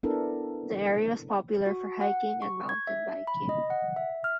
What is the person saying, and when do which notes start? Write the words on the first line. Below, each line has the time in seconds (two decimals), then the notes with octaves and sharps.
The area is popular for hiking and mountain biking.
0.03 B3 D4 E4 A4 A#4
1.66 F#4
2.01 F#5
2.42 C#6
2.69 G#6
2.87 E5
3.27 B5
3.49 D#5
3.70 F#5
3.96 E5
4.24 F6